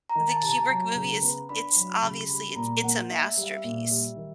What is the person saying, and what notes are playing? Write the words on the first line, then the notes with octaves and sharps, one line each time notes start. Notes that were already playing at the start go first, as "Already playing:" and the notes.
the Kubrick movie is it's obviously it's it's a masterpiece,
A#5
D#3
A5
C3 A5
A#5
F#3
C#3
B3
D4 B5
F#3
C#3
G3 B5
A#2 A#5
A#3 F#5
D#4 E5
G3
F5
E5
A#2
G3
D#3